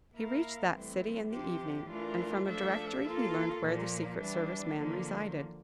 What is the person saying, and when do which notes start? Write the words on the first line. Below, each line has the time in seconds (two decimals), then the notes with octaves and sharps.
He reached that city in the evening, and from a directory he learned where the secret service man resided.
0.15 A#3 E4 A#4 F5
0.73 A2 E3 G3 C4
1.31 C3 F3 C4 G4
1.89 E3 A3 D4 F4 A#4
2.46 F3 A3 D4 A4 E5
3.04 A#3 F4 A4
3.62 A#2 F3 A#3
4.20 E3 G3 D4
4.78 D3 F3 A#3